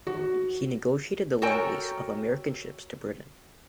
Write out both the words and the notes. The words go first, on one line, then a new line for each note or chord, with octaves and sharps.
He negotiated the lend-lease of American ships to Britain.
F#4
F#4 A4 A#4 C#5 G5 G#5